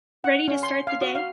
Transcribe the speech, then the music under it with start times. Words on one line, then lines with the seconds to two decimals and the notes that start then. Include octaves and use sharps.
Ready to start the day?
0.24 F#5
0.48 C#4
0.63 C6
0.87 F5
1.01 F#4
1.15 F5